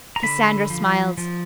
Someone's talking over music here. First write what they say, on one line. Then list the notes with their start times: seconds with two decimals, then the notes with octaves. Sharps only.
Cassandra smiled.
0.16 A#5
0.23 D3 B5
0.70 F3
1.18 F3